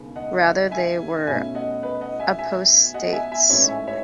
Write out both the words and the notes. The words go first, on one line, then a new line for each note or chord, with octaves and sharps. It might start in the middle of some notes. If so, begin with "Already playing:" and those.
Rather, they were apostates.
Already playing: E1 D#2 C#3 B3
D#5 F#5
E5 G#5
B1 B2 A3 C#4 E5 G#5
D#5 F#5
B4 D#5
D#5 F#5
E5 G#5
E5 G#5
D#5 F#5
E5 G#5
E5 G#5
A1 G#2 E3 A3 C#5 E5
E5 G#5
C#5 E5